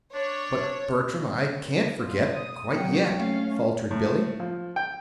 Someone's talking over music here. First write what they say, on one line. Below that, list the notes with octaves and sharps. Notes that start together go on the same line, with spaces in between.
"But, Bertram, I can't forget--quite yet," faltered Billy.
D4 C#5
B2 F4
D#6
C3 F#3 A#3 F#4 G5 C#7
A3 C#4 F5
A2
F3
G5